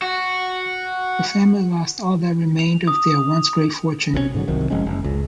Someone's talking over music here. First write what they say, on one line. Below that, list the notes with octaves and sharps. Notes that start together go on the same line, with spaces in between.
The family lost all that remained of their once great fortune.
F#4
F7
D#6
B1 C3 G3 C#4
G#2 D3 F#3
C2 C3 D#3 F#3
F#1 F3 G#3 C#4
F#1
C#2